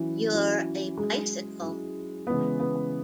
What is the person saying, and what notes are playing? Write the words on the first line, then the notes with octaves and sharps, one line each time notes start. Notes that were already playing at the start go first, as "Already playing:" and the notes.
You're a bicycle.
Already playing: E3 F#3 C#4 E4
F#3 C#4 E4
F#3 G#3 C#4 E4
F#3 C#4 E4
C#3 E3 G#3 B3 C#4
B3